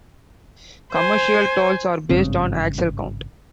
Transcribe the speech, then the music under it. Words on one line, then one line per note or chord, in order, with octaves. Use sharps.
Commercial tolls are based on axle count.
C5 G#5
G#1 G2 C#3 C4